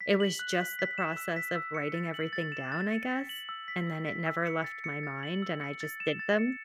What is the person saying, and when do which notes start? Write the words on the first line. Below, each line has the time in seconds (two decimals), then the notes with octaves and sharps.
it was just the process of writing everything down, I guess, and then it never left my mind, and I just did them
0.01 B6
0.20 F#7
0.39 F#6
0.59 B6
0.79 B6
0.98 E7
1.16 E6
1.36 B6
1.56 E6
1.74 C#7
1.94 A6
2.14 F#7
2.33 A6
2.52 E7
2.72 A6
2.91 C#7
3.10 B6
3.29 F#7
3.49 E6
3.68 B6
3.87 E6
4.07 B6
4.26 E6
4.46 C#7
4.64 A6
4.84 C#7
5.03 A6
5.23 F#7
5.42 E6
5.61 C#7
5.81 A6
6.00 E7
6.19 A6
6.39 C#7